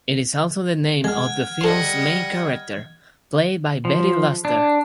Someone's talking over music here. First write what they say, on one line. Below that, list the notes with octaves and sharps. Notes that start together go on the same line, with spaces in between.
It is also the name of the film's main character, played by Betty Luster.
G#3 F#5 F6 G#6
G3 A4 D#5 F#5 C6
F3
D4